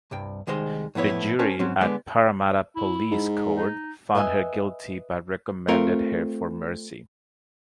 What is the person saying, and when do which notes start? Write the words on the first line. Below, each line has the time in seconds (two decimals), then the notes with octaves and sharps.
The jury at Parramatta Police Court found her guilty but recommended her for mercy.
0.11 C2 G2 G5
0.47 C2 D#3 G#3 C5 D#5
0.95 A2 F3 B3 E4 C#5
1.39 C#4 A#4 C5 G5 A5
1.59 G#2 F#3 C4 C#4
1.81 D3 G#3 B3 D5
2.76 E4
3.11 G#2
3.57 D#4
4.15 B4 D#5 E5 G5 G#5
5.68 A3 C4 F4 A#4